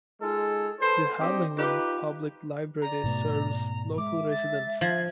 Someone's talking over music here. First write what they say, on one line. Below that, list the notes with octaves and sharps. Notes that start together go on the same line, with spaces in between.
The Harlingen Public Library serves local residents.
G#3 D#4 F4 G#4 A4
A4 B4 C5
C4 D4 D#4 G4
D#4 F4 G4 B4
D5 A#5
G#2 B2 A3
G#3 E5 D6
A6
F3 G#6